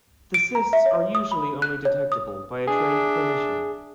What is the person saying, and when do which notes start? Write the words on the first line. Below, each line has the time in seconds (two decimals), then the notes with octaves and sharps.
The cysts are usually only detectable by a trained clinician.
0.34 D7
0.55 A#5
0.73 E5
0.86 C#5
1.15 D#6
1.31 B5
1.62 F#6
1.85 C#5
2.12 D#6
2.67 D4 G#4 E5